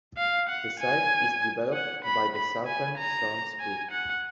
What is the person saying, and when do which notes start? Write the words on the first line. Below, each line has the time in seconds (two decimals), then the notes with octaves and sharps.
The site is developed by the Southern Sons Group.
0.18 F5
0.49 F#5
0.80 G#5
1.73 F#5
2.05 B5
2.35 B5
2.67 G#5
2.98 A#5
3.60 G#5
3.91 F#5